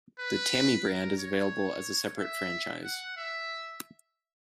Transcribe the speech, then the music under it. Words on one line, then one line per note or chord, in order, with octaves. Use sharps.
The Tammy brand is available as a separate franchise.
B4
A#4
C#5
E5
F#5
E5